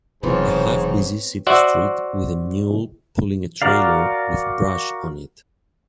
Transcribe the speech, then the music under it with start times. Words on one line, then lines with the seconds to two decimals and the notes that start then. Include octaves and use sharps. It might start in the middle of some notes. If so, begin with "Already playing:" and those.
A half busy city street with a mule pulling a trailer with brush on it.
0.23 E1 G#2 C3 F#3 B3 C4 F4 C#5
1.47 F#4 C5 D5 E5 F#5
3.62 F#4 A#4 D5 F5